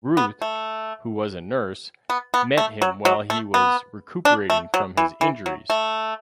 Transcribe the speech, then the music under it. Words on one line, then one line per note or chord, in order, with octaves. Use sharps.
Ruth, who was a nurse, met him while he was recuperating from his injuries.
B3
A3
B3
B3
A3
F#3
F#3
A3
B3
D4
A3
F#3
E3
E3
F#3
A3